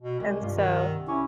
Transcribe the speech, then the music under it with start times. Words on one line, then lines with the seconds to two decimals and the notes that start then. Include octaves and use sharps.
And so,
0.02 B2
0.20 C2 G#3
0.41 G2 F4
0.56 D#3
0.78 E5 F#5
1.07 C#4 E4 C#6 D6